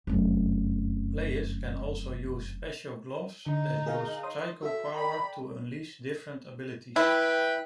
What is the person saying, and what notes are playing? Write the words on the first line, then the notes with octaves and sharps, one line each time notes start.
Players can also use special gloves that use psychopower to unleash different abilities.
F1 F#2
D3 D#4
G#4 A#4 F5
C#5 C6 D#6
F#4 A4 E5
D5 G5 A#5 B5
E4 B4 G5